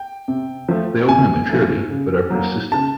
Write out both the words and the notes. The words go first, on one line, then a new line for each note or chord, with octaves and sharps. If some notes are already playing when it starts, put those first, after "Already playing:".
They open at maturity but are persistent.
Already playing: G5
C3
F3 A3
C3 G#5
F3 A3
C#3
F#3 A#3
C#3 A5